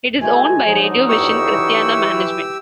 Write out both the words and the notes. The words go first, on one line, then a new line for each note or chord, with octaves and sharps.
It is owned by Radio Vision Cristiana Management.
E3 G#3 A3 F#4 G#5
D3 F3 F#3 D#4
F2 A2 E3 G4 C#6 E6
E3